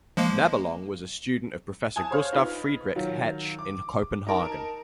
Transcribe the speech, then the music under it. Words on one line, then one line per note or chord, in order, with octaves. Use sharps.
Nebelong was a student of Professor Gustav Friedrich Hetsch in Copenhagen.
F3 G#3 A#3
G#5 A5 D#6 G#6
C5 C#5 F5 F6
D#4 F4 B4
D#3 F#3 F4
D6
D#4 A#4 A5